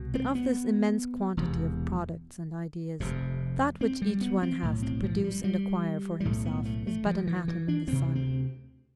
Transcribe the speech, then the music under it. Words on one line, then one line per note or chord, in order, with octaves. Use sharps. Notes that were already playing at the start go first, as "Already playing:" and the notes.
But of this immense quantity of products and ideas, that which each one has to produce and acquire for himself is but an atom in the sun.
Already playing: C2 B2
C4
B3
E1 E2 C3
F1 F2 C3
C4
G3
B3
C4
B1 A2
C4
F3
G3
G3
G3
B1 A2 A3
B3
A3
A3
F3
E3
E3
D4
D2 C3 C4
C4